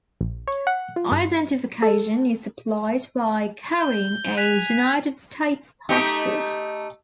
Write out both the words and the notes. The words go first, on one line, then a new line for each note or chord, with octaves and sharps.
Identification is supplied by carrying a United States passport.
A#1
C#5
F#5
F4
G2
A4
G6
G#5 F#6 B6 F7
A3 D#4 G4